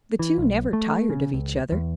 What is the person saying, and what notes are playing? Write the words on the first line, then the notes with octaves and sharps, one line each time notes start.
The two never tired of each other.
E3
B1
A3
C#3
C#2
E2